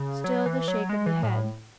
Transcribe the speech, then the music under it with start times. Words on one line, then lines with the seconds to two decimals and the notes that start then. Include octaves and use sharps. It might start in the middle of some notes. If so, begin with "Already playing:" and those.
Still the shake of the head.
Already playing: C#3
0.24 F#3
0.46 E3
0.68 F#3
0.89 G#3
1.06 E3
1.23 A2